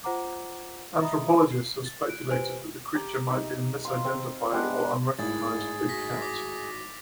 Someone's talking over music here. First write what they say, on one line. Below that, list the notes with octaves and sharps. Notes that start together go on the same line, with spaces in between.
Anthropologists have speculated that the creature might be a misidentified or unrecognized big cat.
F4 C5 F#5 A#5 D6
D#5 E5 A#5 B5 D#6
C7
A6
F#6 D7
G4 B4 C5 G#5 D7
G4 A#5
D#4 E5
F5 C6
C4
G3 G#3 B3 D4
G#1 A2 E4 G#4 A6
F#4 A#6 B6
D6